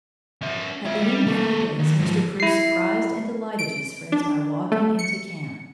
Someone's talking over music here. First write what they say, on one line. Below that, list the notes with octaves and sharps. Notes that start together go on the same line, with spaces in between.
At the end of four days, Mr. Preuss surprised and delighted his friends by walking into camp.
C#4 E5
F4 E5
G3
A#3 A4
D#2
G#2 F3
E4 C7
D7
D4
A3
C#7